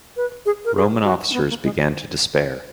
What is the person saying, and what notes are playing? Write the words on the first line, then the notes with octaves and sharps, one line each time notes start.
Roman officers began to despair.
B4
G#4
A#4
G#4
F#4
D4
B3
A#3
G#3